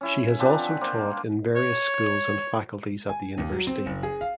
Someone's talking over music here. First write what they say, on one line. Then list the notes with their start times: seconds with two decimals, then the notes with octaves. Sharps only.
She has also taught in various schools and faculties at the university.
0.01 C#4 E4 G#5
0.39 F3 C4 D4 B4
0.57 F#5
0.81 A#3 C5
1.56 C#5
3.09 G#5
3.38 D#2
3.53 F#3
3.67 C4
3.86 F#1
4.03 G#4
4.21 F5